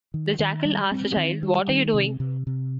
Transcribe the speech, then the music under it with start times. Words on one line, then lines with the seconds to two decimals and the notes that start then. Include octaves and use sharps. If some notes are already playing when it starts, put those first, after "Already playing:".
The jackal asked the child: What are you doing?
0.14 D#3
0.39 D#3
0.65 G3
0.91 C4
1.16 D#3
1.43 G3
1.69 D#3
1.94 C3
2.20 C3
2.47 C3